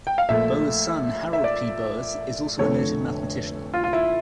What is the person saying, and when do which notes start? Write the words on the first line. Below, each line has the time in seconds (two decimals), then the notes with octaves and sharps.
Boas' son Harold P. Boas is also a noted mathematician.
0.07 G5
0.18 F5
0.29 A#1 A#2 A3 E5
1.33 E5
1.44 D5
2.59 F1 F2 D3 A3 C#5
3.74 F4
3.84 F4
3.93 E4